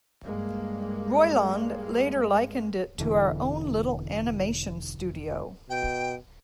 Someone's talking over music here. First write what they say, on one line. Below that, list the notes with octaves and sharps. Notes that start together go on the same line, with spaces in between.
Roiland later likened it to our own little animation studio.
G2 G#3 A#3
E1 D3 E3
B2 G5